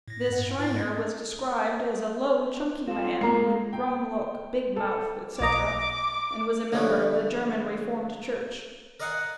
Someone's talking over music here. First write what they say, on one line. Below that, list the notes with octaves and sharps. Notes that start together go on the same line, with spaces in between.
This Schriner was described as a "low chunky man, with grum look, big mouth, etc.," and was a member of the German Reformed Church.
A2 A#6
G2 F#5
G#2 E4 A6
C4 F4 A4
G#3 A#3 A#5 C7
G5
A4
B1 D#5 A#5 D6
D3 F3 G3 A3 B3 C#4
A#4 D5 D#5 F5 F#5 G#5